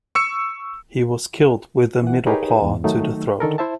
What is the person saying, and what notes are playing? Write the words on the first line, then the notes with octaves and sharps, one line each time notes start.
He was killed with a middle claw to the throat.
C#6 E6 C#7
E3 F#5
D#4 G4 G#4 A#4 B4 C#5
E2 G#2
D#3 F#3 A3 D#4
D3 D#3 A4 A#4
E4 C5 E5 A5